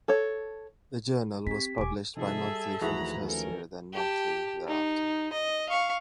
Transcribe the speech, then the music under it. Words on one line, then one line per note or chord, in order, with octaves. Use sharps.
The journal was published bimonthly for the first year, then monthly thereafter.
A4 C#5
C4 G4 B6
E1 G#5 D6
C3 F3 D#4 G#4 A4 E5
G3
D#2 E3 F3 A3 F#4 G#4 A#5 B5
C#4 A4 A#4
G4 A5
D#4
D#5
F5 C#6